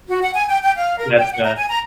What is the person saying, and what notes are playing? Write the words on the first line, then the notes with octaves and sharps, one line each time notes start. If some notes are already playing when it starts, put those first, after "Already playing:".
That's the
F#4
F#5
G#5
G5
G5
F5
A#4
G5
F#5
A#5
G#5
A#5